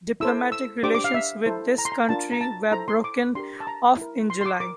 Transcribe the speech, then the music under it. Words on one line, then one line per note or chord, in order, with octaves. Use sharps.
Diplomatic relations with this country were broken off in July.
E4 A4 C5 E6
E6
D4 G4 C5 D6
D6
F5
E5
E4 A4 C5
A#5
C6
A#5
D4 F4 A#4 A5
A#5
A5
E4 A4 C5 A#5
C6
D6
D4 G4 A#4 C6
A5
A#5
E4 A#4
C6
C6
D6
A#4 D6